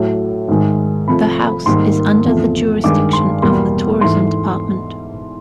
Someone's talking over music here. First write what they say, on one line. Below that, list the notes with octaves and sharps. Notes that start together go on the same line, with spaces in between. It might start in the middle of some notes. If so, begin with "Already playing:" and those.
The house is under the jurisdiction of the Tourism Department.
Already playing: A2 F#3 A3
G#2 D#3 G#3
C3 F3 A3 B5
G#2 D#3 G3 A#3 C6
E2 C3 F3 A3
G2 D#3 G#3 D6
C6
E2 B2 G3 A#3 C6
G#2 E3 A3 C6